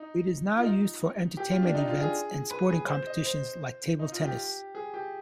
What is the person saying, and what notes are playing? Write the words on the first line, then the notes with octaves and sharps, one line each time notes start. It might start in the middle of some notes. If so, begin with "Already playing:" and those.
It is now used for entertainment events and sporting competitions, like table tennis.
Already playing: D#4
F4
D#4
G4
F4
D4
D#4
F4
G#4
B4
G#4
C5
D#5
C5
D#4
F4
G4
G#4
G4